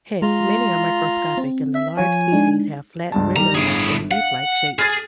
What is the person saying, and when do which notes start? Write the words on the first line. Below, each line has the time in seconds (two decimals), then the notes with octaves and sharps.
Hence many are microscopic and the large species have flat ribbon-like or leaf-like shapes.
0.22 G#3 F4 A#5
1.37 C4
1.74 E5
1.97 F3 F4 C#5 G#5
2.32 G#3 D4 D#4
3.12 C#2 G2 A5
3.36 D#3 G3 A#5
3.55 G1 A2 G#4
4.11 F5 F#5
4.79 G#4 F6 A6